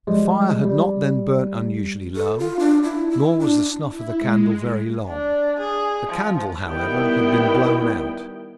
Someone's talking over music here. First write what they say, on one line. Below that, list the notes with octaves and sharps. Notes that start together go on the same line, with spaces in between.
The fire had not then burnt unusually low, nor was the snuff of the candle very long; the candle, however, had been blown out.
F3 G3 G#3
G3
A4
F4
D4
E4
E4
D4
E4
G#3
D4
G#4
F3
D#3 G3 B3 E4 G5